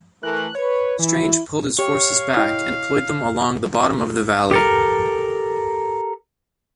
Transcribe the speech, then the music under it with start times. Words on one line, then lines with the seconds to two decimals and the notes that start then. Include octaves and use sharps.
Strange pulled his forces back and deployed them along the bottom of the valley.
0.23 E3 A3 A#4 F#6
0.55 B4 C#5
0.99 E3 E4
1.79 G4 C#5 F5
2.37 E4 D#5 G5
4.51 G4 A4 A#4